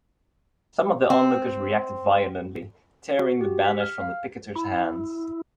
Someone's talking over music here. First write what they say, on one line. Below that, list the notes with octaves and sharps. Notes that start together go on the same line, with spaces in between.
Some of the onlookers reacted violently, tearing the banners from the picketers' hands.
C4
F#4
G4
B6
F6
F5
E4